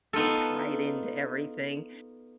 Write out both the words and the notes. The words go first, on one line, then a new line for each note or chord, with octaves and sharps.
tied into everything.
B3 D#4 F4 A4